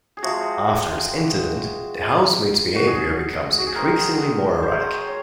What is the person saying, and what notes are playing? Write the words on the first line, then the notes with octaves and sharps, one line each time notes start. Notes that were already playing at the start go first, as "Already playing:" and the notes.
After this incident, the housemaid's behavior becomes increasingly more erratic.
G#4
C3 F3 G#3 F#4
F#4
G#4
F#4
G#4
D#3 G#3 C4 A#4
C5
C#5
C5
C#5